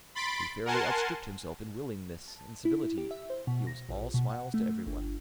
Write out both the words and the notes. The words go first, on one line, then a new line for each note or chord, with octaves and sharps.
He fairly outstripped himself in willingness and civility; he was all smiles to everyone.
B5 C6 A6 B6 D7
A#4 F#5 G#5 A5 C6
A5
E4
G4
E5
C5
B2
A#6
A#1
B2
F#5
A3
G1